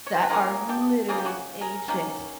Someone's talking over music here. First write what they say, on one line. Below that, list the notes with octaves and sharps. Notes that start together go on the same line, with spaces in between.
that are literally ancient.
C#5
C5
B4
F3 A#3 C#4 G#4 A#4
G4 A4
C#3 F3 A#3 C#4 G#4
G4
F#4 G#4
G#4 A#4
D#3 F#3 A#3 C#4